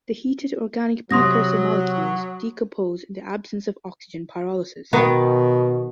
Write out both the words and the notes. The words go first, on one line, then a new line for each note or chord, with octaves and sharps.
The heated organic precursor molecules decompose in the absence of oxygen - pyrolysis.
C3 F#3 C6 D#6 A#6
B2 D#3 B3